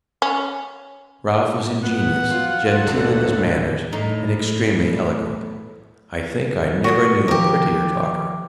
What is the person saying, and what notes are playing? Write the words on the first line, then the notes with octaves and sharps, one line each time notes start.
Ralph was ingenious, genteel in his manners, and extremely eloquent; I think I never knew a prettier talker.
C#4
F#1 C#2 A2 B3 F#5
F3 F#3 F4 F#4
D1 D2 D3 A4
F#3 C4 C#5
A2 D#4
F#4 D#6
D#3 F3 G4 A#4